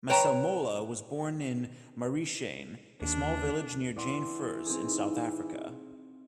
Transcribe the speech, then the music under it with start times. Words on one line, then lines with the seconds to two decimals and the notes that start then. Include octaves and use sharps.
Masemola was born in Marishane, a small village near Jane Furse, in South Africa.
0.09 B4 C#5 G5 A5 A#5
3.02 D#2 D4
3.96 E3 D5 F#5 C6
4.66 C4 D#4 G#4